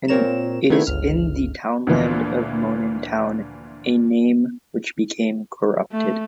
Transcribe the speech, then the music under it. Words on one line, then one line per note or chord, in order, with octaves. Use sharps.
It is in the townland of Monintown, a name which became corrupted.
A#2 C4 A#4 C#5 A#5 E7
D#3 A3 B3 D4 E4 G#6
G1 C#2 F6
D2 A#2 E3 F3
A3